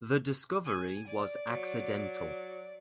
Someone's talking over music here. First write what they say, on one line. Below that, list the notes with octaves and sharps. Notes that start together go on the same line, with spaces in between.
The discovery was accidental.
G#5
D5
F#3